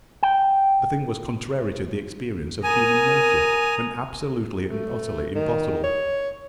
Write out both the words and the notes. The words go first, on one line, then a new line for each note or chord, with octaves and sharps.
The thing was contrary to the experience of human nature, and absolutely and utterly impossible.
G5
A#4 G#5 A#5 D#6
A3
D#3
C#5